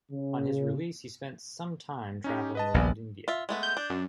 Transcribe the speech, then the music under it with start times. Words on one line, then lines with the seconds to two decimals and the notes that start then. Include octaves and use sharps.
On his release he spent sometime travelling around India.
0.12 C#3
2.24 C#4 D#4 G4
2.55 B4 D#5 A5
2.74 A#1 D#2 B3 D5 G#5
3.28 F4 E5
3.49 G#3 A3 B3
3.63 G6
3.77 D4
3.90 F#2